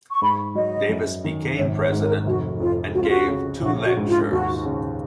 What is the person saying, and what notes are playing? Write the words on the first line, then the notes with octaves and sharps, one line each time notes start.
Davis became president and gave two lectures.
C#6
G#2 B5
F#3 D#5
F#2
D#3
G#1 C#5
C#5
G#2
A#4
F1 F#4
F2 F4
C#2 F#4
F4
F#4
C#3
A#1 F#4
F#4
G#2
F4
D#2 F#4
C#3